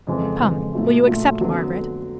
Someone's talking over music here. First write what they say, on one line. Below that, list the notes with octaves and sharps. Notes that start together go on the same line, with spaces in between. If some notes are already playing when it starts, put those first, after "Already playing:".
"Come, will you accept, Margaret?"
F2 C#3 E3 G#3
F2 C#3 E3 G#3
A#2 F#3 A3
A#2 F#3 A3
F2 D3 F#3 B3